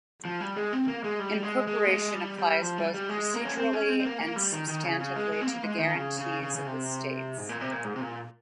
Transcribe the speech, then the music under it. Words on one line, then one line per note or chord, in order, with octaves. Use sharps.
Incorporation applies both procedurally and substantively to the guarantees of the states.
F3
G3
G#3
C4
A#3
G#3
G3
G#3
G#3
A#3
G#3
G3
G3
F3
G3
G3
G#3
A#3
C#4
C4
C#4
C4
C4
A#3
A#3
G3
D#3
D#3
C#3
C#3
G#3
G#3
C4
A#3
G#3
D#3
C#3
C#3
C#3
C#3
C3
G#2
A#2
C3
A#2
G#2
C3
A#2